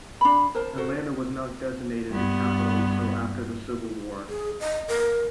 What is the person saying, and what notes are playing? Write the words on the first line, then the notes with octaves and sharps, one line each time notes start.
Atlanta was not designated the capital until after the Civil War.
D4 B5
A#4 C5 A5
F#4 A4 C5
G2 B3
G#4
D#5
A#4